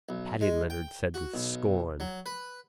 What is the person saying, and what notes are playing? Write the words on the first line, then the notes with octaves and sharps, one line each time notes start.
Paddy Leonard said with scorn.
B1
G#3
G5
F#4
B1
F#3
B4